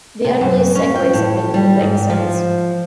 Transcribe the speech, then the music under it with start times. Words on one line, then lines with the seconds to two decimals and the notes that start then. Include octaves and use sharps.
The unreleased segues have been bootlegged since.
0.24 C3
0.41 F#2
0.75 C#4
0.96 G5
1.13 A2
1.54 G3
1.80 G#2
2.10 F3